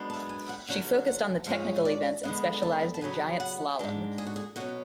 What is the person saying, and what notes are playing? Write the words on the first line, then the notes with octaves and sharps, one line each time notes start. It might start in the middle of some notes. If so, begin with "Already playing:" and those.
She focused on the technical events and specialized in giant slalom.
Already playing: F#2 G#3 B3 D4
A5
G#5
F#5
D3 F#3 C#4 F#5
F#5
G#2 F3 G#3 C#4 F5
D5
D3 G#3 B3 F#5
A5
A5
C#3 F#3 B3 G#5
F#5
G#2 G#3 D4
G#4
F#4
G#4
B2 F#3 C#4 F#4